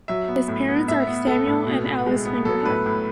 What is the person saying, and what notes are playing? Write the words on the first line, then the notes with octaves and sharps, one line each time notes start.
His parents are Samuel and Alice Fingerhut.
F#3 E5
B3
A2
B3
A2 E5
B3
B3 A4
A2
B2
B2
G#3
B3
F#3 A4
A2 B4
A2